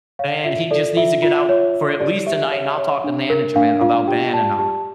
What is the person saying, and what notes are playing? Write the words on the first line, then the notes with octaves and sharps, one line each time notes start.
and he just needs to get out for at least tonight, and I'll talk to management about banning him."
C#5 F5
F4 E5
A4 D5
F4 E5
F4
C#5
C#5
G4 D5
G4 E5
C#5
C#5
D4
A#4
D4 F5
F4 F5
G4 G5
D5 A5
G4 A5